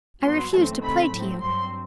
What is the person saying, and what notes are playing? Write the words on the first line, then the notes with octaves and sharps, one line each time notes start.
I refuse to play to you!
G2 F#3 B3 C6
F#2 E3 A3 C4 A5
C3 D#3 A3 C4 B5
A2 F#3 C4
G2 F#3 C4 C6